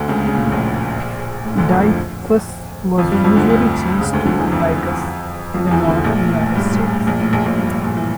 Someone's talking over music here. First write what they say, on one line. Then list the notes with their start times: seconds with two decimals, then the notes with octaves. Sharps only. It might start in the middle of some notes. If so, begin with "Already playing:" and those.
"Deicws" was usually changed to "Dicus" in the northern United States.
Already playing: D2 D3
0.08 C#2 C#3
0.26 C#3
0.35 A#2
0.44 A2
0.52 A#1 A#2
1.45 A2
1.57 D2 D3
1.70 F2 F3
1.83 F2 F3
2.98 F2 F3
3.11 G2 G3
3.24 F2 F3
3.36 D2 D3
3.49 D2 D3
4.00 C#2 C#3
4.13 D2 D3
4.25 D2 D3
4.38 E2 E3
4.51 F2 F3
5.54 F2 F3
5.67 F3
5.71 E2 E3
5.83 E3
5.87 D2 D3
6.04 A#1 A#2
6.21 A2
6.38 A2
6.55 G2
6.67 A2
6.73 G2
6.89 A2
7.07 A#1 A#2
7.20 A2
7.33 A#1 A#2
7.46 A#1 A#2
7.58 G2
7.71 A2
7.83 A#1 A#2
7.97 E3